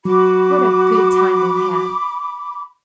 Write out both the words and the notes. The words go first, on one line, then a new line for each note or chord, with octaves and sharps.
What a good time we'll have!
F#3 F#4 B5 D6